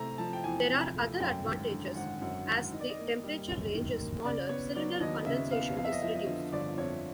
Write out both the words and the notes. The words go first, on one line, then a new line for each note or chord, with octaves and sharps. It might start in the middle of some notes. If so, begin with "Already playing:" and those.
There are other advantages: as the temperature range is smaller, cylinder condensation is reduced.
Already playing: C3 A3 A#5
F3 A5
G5
E2 G#5
C3
A3
F#2 G5
G#1
D3
G#1 F#5
F#2 F#5
G#1
D#3 D#5
D5
D#5
A#3
G3
F#2
D#3
A#3
C#3 D5
B3 C#5
F#3 D5
D#2 D#5
C#3 E5
B3 F5
F2 F5
E5
D#5
F3 E5
D#5
D3
G1 D5
F2 C#5